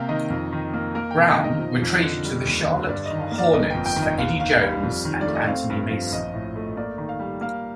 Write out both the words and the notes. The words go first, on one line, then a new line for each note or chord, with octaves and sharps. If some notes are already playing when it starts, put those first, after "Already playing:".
Brown were traded to the Charlotte Hornets for Eddie Jones and Anthony Mason.
Already playing: C3 A#3 F5 G5
D#3 D#5
F2
D#3
A#3
A#3 A#4
G5
C3
D#5
D#3
D#5
F3
F2
D3
G3
D#2
D3
G2 D5
D#3 D#5
F5
A#3
D5
G1 D#5
F2 G5
G5
D#3
D#5
D#2 F5
D#3 F5
G3 F5
F2
D#3
D5
A3
D#5
C4 F5
G2
F3
A#1 D#5
A2
A3
A#3 D5
D#3
F5
G3
A#3 F5